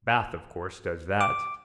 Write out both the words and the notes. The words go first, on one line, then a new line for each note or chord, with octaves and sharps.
Bath of course does that.
D6